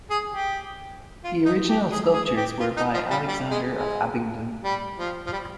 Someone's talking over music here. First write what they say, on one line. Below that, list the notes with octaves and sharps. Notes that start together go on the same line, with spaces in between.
The original sculptures were by Alexander of Abingdon.
G#4
G4
F4
D#4
G4
G#4
G#4
G4
F4
D#4
F3
G3
G3
G#3
G#3
G3
F3
F3
G3